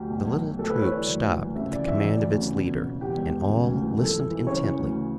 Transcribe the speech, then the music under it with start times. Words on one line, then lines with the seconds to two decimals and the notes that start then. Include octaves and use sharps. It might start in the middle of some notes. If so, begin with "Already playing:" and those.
The little troop stopped at the command of its leader and all listened intently.
Already playing: D2 G4
0.10 B1
0.26 B1
0.42 B1
0.59 D2 A4
0.70 B4
0.75 E3
0.82 C#5
0.91 E3 D5
1.07 D2
1.23 D2
1.39 D2
1.55 C#3 E5
1.71 E3 D5
1.88 E3 E5
2.04 E3 D5
2.20 D2
2.36 C#3
2.53 E2
2.69 B2
2.84 B2
3.01 E2 G4
3.17 E1
3.33 E1
3.49 C#3
3.66 D2
3.82 E3
3.98 G1 A4
4.15 G1
4.30 E3
4.46 C#3 C#5
4.63 E3
4.79 D2